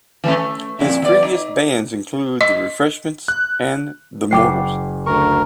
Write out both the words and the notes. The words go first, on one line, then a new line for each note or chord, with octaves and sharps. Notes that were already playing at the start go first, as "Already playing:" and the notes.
His previous bands include The Refreshments and the Mortals.
E3 A3 C#4
A3
F2 A#2 E4
E2 D5
D#4
D#5
F#6
F#1 C5 G5 D6 C7
D2 A#4 C#6